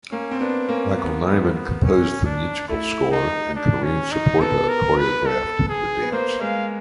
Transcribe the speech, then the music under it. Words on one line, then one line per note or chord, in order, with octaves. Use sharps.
Michael Nyman composed the musical score and Karine Saporta choreographed the dance.
A#3 C#4
C4
B3 D4
A#3 C#4
B3
B3
B3
C#4
D4
A3 E4
D#4
D4
C#4
D#4
B3 A4
A#4
B4
A4
G#4
B3
A#3 C5
G#3 F5